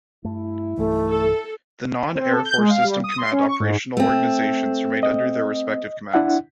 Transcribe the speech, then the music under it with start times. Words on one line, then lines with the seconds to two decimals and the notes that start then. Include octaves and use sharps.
The non-Air Force System Command operational organizations remained under their respective commands.
0.24 G2 A3 E4
0.77 B1 G2 E3 A3
1.09 A4
2.15 C4
2.33 A4
2.45 G6
2.58 G#3
2.70 F5
2.84 G3
3.04 D#6
3.18 C6
3.32 C#4
3.48 C#6
3.60 G#2
3.97 A3 C4
5.03 D#5
6.14 D4 E4 F#5